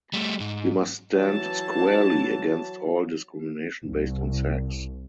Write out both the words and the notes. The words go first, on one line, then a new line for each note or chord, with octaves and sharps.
We must stand squarely against all discrimination based on sex.
G3 A3
G#2
E3 F#3 A5
C2